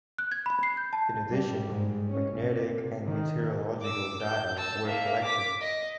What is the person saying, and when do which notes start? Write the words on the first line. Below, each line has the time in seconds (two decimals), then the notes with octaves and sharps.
In addition, magnetic and meteorological data were collected.
0.18 F#6
0.32 G#6
0.46 B5
0.63 C7
0.77 G6
0.93 A5
1.31 G3
1.68 G#2
2.09 C#4
2.40 C3
3.06 D#3
3.81 D6 E6
4.23 G6
4.58 A5 E6
4.88 A#3 E5
5.24 D6 B6
5.61 D#5